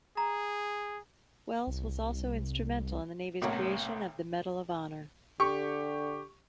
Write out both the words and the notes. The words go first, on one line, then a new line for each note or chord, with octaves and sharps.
Welles was also instrumental in the Navy's creation of the Medal of Honor.
G#4 A#5
C2
B1 A2 C3 A#3 C#4 F#5
D3 G4 C#6